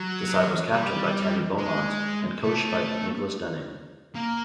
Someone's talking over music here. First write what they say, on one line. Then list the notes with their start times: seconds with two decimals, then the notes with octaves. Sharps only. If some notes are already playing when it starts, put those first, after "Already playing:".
The side was captained by Tammy Beaumont and coached by Nicholas Denning.
Already playing: F#3
0.72 G3
1.58 G#3
2.44 A3
4.15 A#3